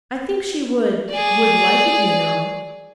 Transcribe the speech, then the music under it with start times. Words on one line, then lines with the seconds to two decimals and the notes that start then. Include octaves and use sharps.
"I think she would,--would like it, you know."
1.09 G#4 D5